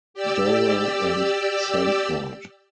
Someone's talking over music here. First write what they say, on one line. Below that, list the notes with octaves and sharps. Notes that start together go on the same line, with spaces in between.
Dora and Sanford.
G4 D5 E6